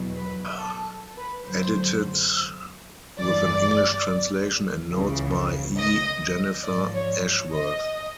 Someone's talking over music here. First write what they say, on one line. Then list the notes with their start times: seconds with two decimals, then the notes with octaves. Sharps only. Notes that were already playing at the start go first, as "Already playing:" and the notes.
Edited with an English translation and notes by E. Jennifer Ashworth.
Already playing: E2 B2 F#3
0.16 B4
0.59 A4
1.17 B4
1.45 F#2 D3 F#3 C5
3.19 G2 E3 D5
4.92 C#2 C#3 E3
5.78 D#5
6.64 G#2 F3 D5
6.93 C#5
7.52 D#5